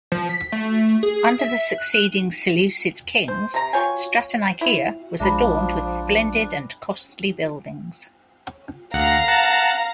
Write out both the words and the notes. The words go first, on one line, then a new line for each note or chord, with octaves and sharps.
Under the succeeding Seleucid kings, Stratonikeia was adorned with splendid and costly buildings.
F3
B6
A3
G#4
E5
F#6
C5
C3 A#5
F4 C#5 G5 G#5
E4
A#1 F3 G#3 D4 E5 A#5 B5
D2 F5 F#5 A#5 F#6
F#5 A5